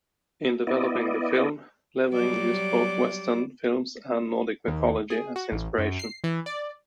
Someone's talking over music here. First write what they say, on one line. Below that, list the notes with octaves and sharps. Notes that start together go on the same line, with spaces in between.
In developing the film, Levring used both Western films and Nordic mythology as inspiration.
B3 E4 D5 D#5
F#3 G3 D5
D#2
G#4
F#4
A1
F#2
C7
E3
D5